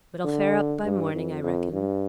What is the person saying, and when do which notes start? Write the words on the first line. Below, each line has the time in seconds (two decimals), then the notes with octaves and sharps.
It'll fair up by morning, I reckon.
0.24 D3
0.84 G2
1.14 F2
1.43 F2
1.72 G2